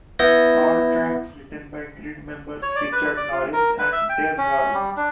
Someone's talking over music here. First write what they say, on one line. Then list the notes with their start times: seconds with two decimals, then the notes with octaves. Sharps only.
All tracks written by Grid members Richard Norris and Dave Ball.
0.19 B3 E4 G6 A#6
2.62 C#5
2.76 D5
2.92 B4
3.17 D5
3.32 F4
3.53 A#4
3.79 B4
3.92 E5
4.09 G5
4.38 C#4
4.74 G3
4.97 D4